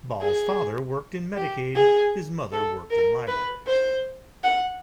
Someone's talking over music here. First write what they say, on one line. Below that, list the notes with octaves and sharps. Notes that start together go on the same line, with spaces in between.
Ball's father worked in Medicaid; his mother worked in libraries.
G#4
G4
G#4
A4
A#4
B4
C5
F#5